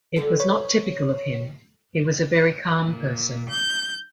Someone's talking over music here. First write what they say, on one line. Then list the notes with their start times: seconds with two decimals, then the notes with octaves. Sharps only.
It was not typical of him, he was a very calm person.
0.16 G2 D3 A4
0.40 B4 C#5
2.85 A#2
3.48 G6